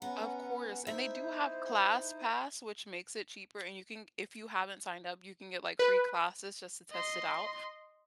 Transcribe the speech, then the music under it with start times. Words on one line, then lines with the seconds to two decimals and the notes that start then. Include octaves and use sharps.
Of course, and they do have ClassPass, which makes it cheaper, and you can, if you haven't signed up, you can get, like, free classes just to test it out,
0.02 B3 C#4 F#5 A#5
0.87 D#4 E4 C5 E5
5.79 B4
6.91 D#5 C6